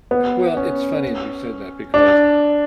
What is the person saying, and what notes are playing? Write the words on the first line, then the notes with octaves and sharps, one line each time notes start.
Well, it's funny that you said that because,
B3
C#4
D4